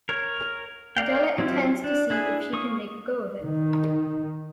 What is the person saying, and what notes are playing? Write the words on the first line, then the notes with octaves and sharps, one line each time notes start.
Adela intends to see if she can make a go of it.
A#4 C#5
A#4 D5 F5 G5
F#3 C4 E4 F4 G4
D4
D4 E4 G#4
A#3 C#6 D#6
D#3